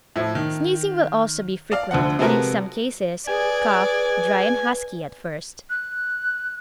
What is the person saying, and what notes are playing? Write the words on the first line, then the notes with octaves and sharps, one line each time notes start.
Sneezing will also be frequent, and in some cases cough, dry and husky at first.
A2 F3 E4
D#3
D5 F5
D2 D3 F3 F#5
C3 F3 G#3 F#4 A#4 B4
G#4 B4 D5 G#5
F#6